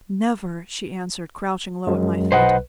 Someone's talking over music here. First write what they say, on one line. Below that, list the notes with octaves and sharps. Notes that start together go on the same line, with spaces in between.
"Never!" she answered, crouching low at my feet.
F#2 F#3 G#3
B1 B4 C5 D#5 F#5